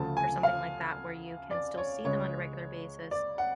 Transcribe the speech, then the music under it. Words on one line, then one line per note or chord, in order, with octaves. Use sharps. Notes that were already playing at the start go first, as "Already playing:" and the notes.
or something like that where you can still see them on a regular basis,
Already playing: D2 C#3 F3 A3 A5
G#5
F5
D5
C#5
C#2 C#3 G#3 C#5
D5
F#5